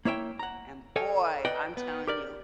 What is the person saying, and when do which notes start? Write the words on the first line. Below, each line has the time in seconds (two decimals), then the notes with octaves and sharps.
And boy, I'm telling you,
0.05 A#3 E4 C#5 E5 G5
0.39 F#5 A#5
0.96 A4 C#5 D#5 F5 G5 G#5
1.45 B4 D5 D#5 F#5 G5
1.77 B3
2.07 G4 A#4 D5